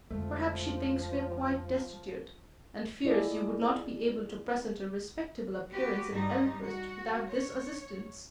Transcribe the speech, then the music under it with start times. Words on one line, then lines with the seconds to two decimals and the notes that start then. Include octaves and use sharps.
Perhaps she thinks we are quite destitute, and fears you would not be able to present a respectable appearance at Elmhurst without this assistance.
0.11 F2 D3 F3 G#3 A3
3.05 E4 F4 G#4 A4 D5 D#5
5.71 F#4 G4 B4
6.12 G2 G3 D#4
6.65 F#4
7.30 C#5